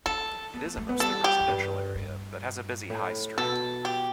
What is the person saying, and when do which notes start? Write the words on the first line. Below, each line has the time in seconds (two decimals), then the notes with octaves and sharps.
It is a mostly residential area, but has a busy high street.
0.06 D4 A4
0.54 B3
0.65 A3
0.77 A3
0.89 B3
1.00 G3 A4
1.24 G4
1.40 E2
1.48 G2
1.95 G2
2.90 A2
3.38 B2 A4
3.85 G4